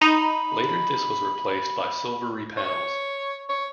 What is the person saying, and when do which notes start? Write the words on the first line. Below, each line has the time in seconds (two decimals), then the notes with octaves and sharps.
Later this was replaced by silvery panels.
0.01 D#4 B5
2.57 C#5
3.50 C#5